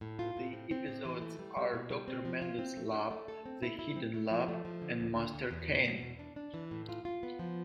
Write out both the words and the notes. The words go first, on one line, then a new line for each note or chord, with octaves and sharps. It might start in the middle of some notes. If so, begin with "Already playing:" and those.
The episodes are "Dr. Mangle's Lab", "The Hidden Lab" and "Master Cain".
A2
F4
A2
C4
C4
A2
E3
A3
G3
G3
B2
G3
C4
F3
F4
C4
A3
D4
A3
A4
C4
E4
E4
C4
A3
F3
A3
F3
D3
D2
D3
D2
E2
B2
B2
E2
D4
D4
E3
A2
F4
F4
B3
F3